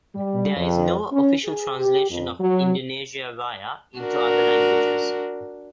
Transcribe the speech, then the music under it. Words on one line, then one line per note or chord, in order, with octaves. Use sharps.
There is no official translation of "Indonesia Raya" into other languages.
G3
F2
C#4
G#4
G4
F2
F#3
D4 F#4 A#4